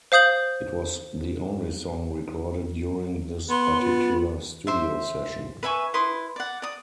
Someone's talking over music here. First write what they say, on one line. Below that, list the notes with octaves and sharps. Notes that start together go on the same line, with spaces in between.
It was the only song recorded during this particular studio session.
C5 F5 D#6 G6 F#7
B3 C6
F4
C5 E5
B4 E5 G#5 C#6
E4 B4 C6 D#6
D5 F#5
D5 D#6